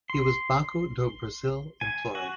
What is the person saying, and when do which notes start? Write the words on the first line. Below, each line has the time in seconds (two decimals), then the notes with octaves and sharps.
He was Banco do Brasil employee.
0.10 C6
1.81 G#5
2.15 F#4